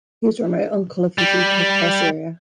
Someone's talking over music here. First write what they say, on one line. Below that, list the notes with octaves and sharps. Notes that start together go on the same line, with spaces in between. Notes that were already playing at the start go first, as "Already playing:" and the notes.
He was a remote uncle of the Duke of Terceira.
G3